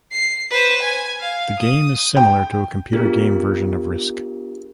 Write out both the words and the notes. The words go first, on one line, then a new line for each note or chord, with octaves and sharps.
The game is similar to a computer game version of Risk.
C7
B4 C5
G#5
F5
D#6
G5
B3 D4 F4 G4 G#4 A#4